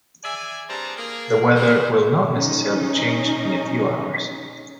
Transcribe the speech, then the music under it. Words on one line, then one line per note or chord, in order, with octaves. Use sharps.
The weather will not necessarily change in a few hours.
G#4 D5 E5 G#5
G2 G3 C4 G#4 A5 A#5
A#3 G#4 A#4
E3 G3 B3 F4 C5 C#5
C#4 D#4